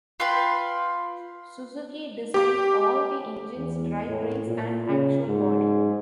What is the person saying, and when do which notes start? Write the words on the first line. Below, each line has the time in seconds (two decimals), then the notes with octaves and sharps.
Suzuki designed all the engines, drivetrains and actual body.
0.20 F4 B4 G5 C6
2.34 G4 D6
3.57 E2
4.08 A2
4.46 A#2
4.89 C#3
5.27 G#2